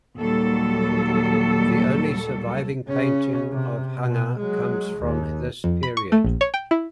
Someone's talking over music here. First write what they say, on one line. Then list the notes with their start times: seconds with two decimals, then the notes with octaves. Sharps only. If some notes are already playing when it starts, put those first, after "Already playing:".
The only surviving painting of Hanger comes from this period.
0.17 D#2 A#2 F#3 G3 A4
2.88 C#3 C#4
3.52 C3
4.00 B2
4.38 F#3 G#3
4.99 D#2
5.64 F2
5.83 B5
5.97 C#6
6.12 A3
6.25 A#1
6.41 C#5
6.54 G5
6.71 E4